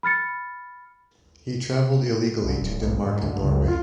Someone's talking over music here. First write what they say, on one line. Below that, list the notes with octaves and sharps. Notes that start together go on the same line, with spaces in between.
He traveled illegally to Denmark and Norway.
B5 F6 A6 C#7
C2
D1
B1
G#2
D2
C#2
F4